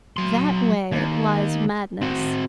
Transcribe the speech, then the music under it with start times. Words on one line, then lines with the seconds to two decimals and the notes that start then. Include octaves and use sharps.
That way lies madness.
0.17 F#3 C6
0.92 D#2
2.02 C4 F#4